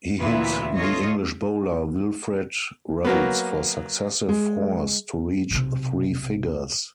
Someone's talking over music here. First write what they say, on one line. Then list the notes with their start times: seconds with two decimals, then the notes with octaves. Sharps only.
He hit the English bowler Wilfred Rhodes for successive fours to reach three figures.
0.19 D2 A#2 E3 B3 E4 B4
0.74 F4 A4 C#5 D#5
3.04 F#3 A#3 B3
4.29 G#3
5.51 B1 C3